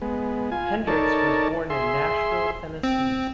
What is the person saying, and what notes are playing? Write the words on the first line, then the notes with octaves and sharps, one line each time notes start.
Hendricks was born in Nashville, Tennessee.
G#3 B3
F4 G#5
D#4 A4 A#4 C#5 D5 A5
G#4 E5 C6
C4